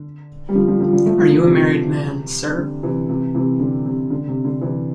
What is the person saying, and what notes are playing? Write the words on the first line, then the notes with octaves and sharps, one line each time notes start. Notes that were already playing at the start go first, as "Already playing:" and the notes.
Are you a married man, sir?
Already playing: D3
G3
D3 F3
D3 F3
D3 F3
D3 F3
F3 A3
D3 F3
D3 F3
C3 E3
D3
C3 E3
C3 E3
C3 E3
D3
C3
D3
C3
D3
C3 E3